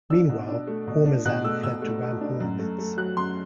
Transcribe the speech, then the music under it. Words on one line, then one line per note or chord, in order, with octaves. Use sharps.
Meanwhile, Hormuzan fled to Ram-Hormizd.
D4 E6
B2
D4
A3
B2
D4
B2 F#6
A3 E6
B2 E6
A3
A3
D4
F#2
A3
A3
F#3 F#6
F#2 C6